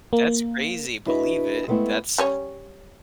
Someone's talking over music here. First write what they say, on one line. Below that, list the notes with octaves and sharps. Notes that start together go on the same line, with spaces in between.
That's crazy, believe it, that's
A#3
D4 E4 F#4 B4 D#5 E5
G#3 A3 B3 C4 E4
G3 C#4 C#5